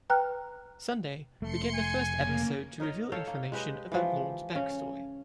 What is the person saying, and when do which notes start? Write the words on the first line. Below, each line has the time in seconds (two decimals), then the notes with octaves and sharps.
"Sunday" became the first episode to reveal information about Lorne's backstory.
0.10 B4 G5 A#5 F6 F#6
1.42 F1 A3 C6 C#7
1.74 G#5
2.10 C#3 A#3
2.80 D#4 A#4 C#5 D#5
3.12 A4 C#5 F5 G5
3.27 A#3
3.52 G#3 G4 B4 D#5
3.92 E3 F3
4.55 C#3 C#4